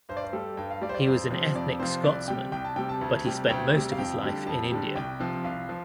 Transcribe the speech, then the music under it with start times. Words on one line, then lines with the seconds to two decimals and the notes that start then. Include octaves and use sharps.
He was an ethnic Scotsman but he spent most of his life in India.
0.09 G2 C5
0.17 D5
0.24 C5
0.33 G3 A4
0.57 G2 G5
0.71 F5
0.82 G3 D5
0.89 C5
0.94 D5
1.06 F2 C5
1.30 C3 F3 C5
1.55 F2 D5
1.80 C3 F3 C5
2.04 C2 D5
2.28 C3 G3 G5
2.52 C2 G5
2.65 A5
2.76 C3 G3 G5
2.89 A5
3.01 D2
3.25 C3 G3
3.49 D2 G5
3.73 C3 G3
3.92 F5
3.98 F2 G5
4.22 D3 G3
4.47 F2 A5
4.72 D3 G3
4.96 C2 G5
5.20 C3 F3
5.44 C2 F5
5.69 F3